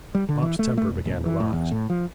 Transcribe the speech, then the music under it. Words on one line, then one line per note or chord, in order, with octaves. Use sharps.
Bob's temper began to rise.
G3
D3
E3
A3
A3
E1
D#1
E3
A2
E2
A2
F3